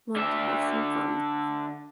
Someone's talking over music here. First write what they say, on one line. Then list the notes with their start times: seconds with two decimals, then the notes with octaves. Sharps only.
Want to have some fun.
0.16 D3 E5